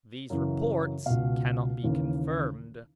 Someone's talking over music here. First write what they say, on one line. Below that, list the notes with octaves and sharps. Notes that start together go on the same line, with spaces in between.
These reports cannot be confirmed.
F#2 C#3 E3
C#2 B2 F5
D#2 C#3 E3